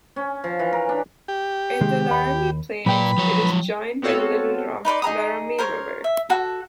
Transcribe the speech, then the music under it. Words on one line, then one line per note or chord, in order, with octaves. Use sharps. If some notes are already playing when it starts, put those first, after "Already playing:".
In the Laramie Plains it is joined by the Little Laramie River.
C#4
F3
E3
A#4
D4
G4
C3 D#3 G#3
D#2 D#5 B5
A#2 F#3 B4 D5 G5 B5
F3 C#5
B3 C4 F#4 A4 C#5 F5
D#4 B4 D5 C6
D#4 G#4 A#5 D#6
A#4 C5 C#5
E5
F#4 A4